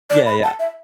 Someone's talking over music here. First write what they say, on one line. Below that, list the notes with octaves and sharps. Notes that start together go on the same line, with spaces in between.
Yeah, yeah.
D5
B5
A5
E5